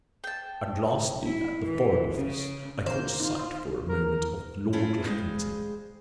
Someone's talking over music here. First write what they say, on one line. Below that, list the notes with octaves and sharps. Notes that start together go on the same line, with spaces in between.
And, lastly, at the Foreign Office I caught sight, for a moment, of Lord Lackington.
G5 A5
E4
E3
C#3
D#3 A#3 C4 C5
D#4 F4
A#4
A3 C#4 E4 F4 G#4
G3 G#3 G#4 C5 F5